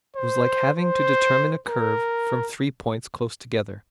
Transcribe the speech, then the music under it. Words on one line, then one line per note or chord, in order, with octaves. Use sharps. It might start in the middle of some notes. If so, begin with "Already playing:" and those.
It was like having to determine a curve from three points close together.
C5
C5
A#4